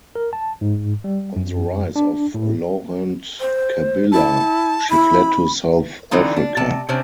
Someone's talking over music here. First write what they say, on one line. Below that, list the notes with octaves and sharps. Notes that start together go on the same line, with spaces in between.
On the rise of Laurent Kabila, she fled to South Africa.
A#4
A5
G#2
G3
F#2
D4
A2
C5
E4 A5
E4 B5
D3 E3 C4 D#4 F4
D4
C3 A5
C3 C#4 D4 C5